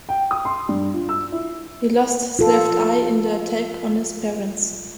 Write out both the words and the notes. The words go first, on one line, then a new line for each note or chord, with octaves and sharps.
He lost his left eye in the attack on his parents.
G5
D#6
C6
G2
F4
E6
E4
F4 A4